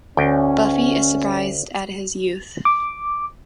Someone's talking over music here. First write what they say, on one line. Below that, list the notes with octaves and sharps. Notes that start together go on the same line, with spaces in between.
Buffy is surprised at his youth.
D2 C#4 G5
D6